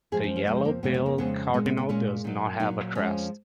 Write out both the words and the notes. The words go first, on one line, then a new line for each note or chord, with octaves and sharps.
The yellow-billed cardinal does not have a crest.
F2 F3 G#3 G#4
D#4
C#4
F2 F3 G#3 B3
A#3
F2 C#3 G#3 B3
B3
A#3
F2 C#3 G#3 B3
A#2 G#3 B3
B3
B3
A#2 G#3 C#4
A#2 F#3 D#4
A#2 F#3 D#4
F2 F3 G#3 C#4